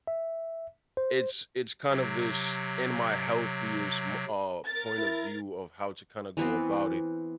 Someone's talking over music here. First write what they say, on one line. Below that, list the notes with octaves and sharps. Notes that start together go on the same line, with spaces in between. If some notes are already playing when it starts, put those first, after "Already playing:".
it's it's kind of this in my healthiest m uh, point of view of how to kinda go about it.
E5
C5
C3 F#3
A#4 A6
E4
E3 B3 C4